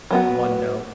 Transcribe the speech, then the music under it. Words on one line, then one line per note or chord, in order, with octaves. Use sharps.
one note,
F#3 B3 F#4